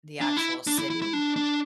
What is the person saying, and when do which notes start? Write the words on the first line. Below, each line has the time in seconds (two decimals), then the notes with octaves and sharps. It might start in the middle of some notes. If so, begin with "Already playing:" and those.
the actual city
0.21 D4
0.37 E4
0.67 D4
0.79 E4
0.90 E4
1.02 E4
1.13 D4
1.36 D4